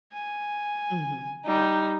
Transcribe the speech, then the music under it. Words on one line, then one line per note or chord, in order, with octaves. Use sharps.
Mhm, right.
G#5
G3 D#4